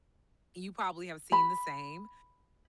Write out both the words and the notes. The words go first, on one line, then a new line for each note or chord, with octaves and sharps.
you probably have seen the same.
B5